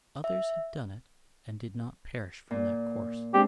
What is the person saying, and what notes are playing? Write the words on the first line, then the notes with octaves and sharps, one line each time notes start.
Others have done it and did not perish from that course.
E5
A#2
G#3 C4 D4 G4